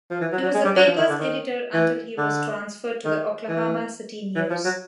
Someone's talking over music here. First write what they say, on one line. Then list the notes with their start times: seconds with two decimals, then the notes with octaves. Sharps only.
He was the paper's editor until he was transferred to the "Oklahoma City News".
0.11 F3
0.21 E3
0.32 F#3
0.43 F#3
0.54 G#3
0.65 G3
0.76 F#3
0.87 F3
0.98 D#3
1.09 D3
1.19 D#3
1.74 E3
2.18 D3
3.05 D#3
3.49 E3
4.36 E3
4.50 F3
4.65 F#3